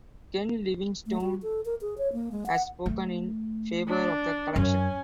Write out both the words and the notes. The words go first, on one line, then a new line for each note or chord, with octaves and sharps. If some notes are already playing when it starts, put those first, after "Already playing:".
Ken Livingstone has spoken in favour of the Collection.
A3
F#4
A4
A#4
G#4
C#5
A#3
G#3
F#5
A3
D4
F#2 C#4 G#5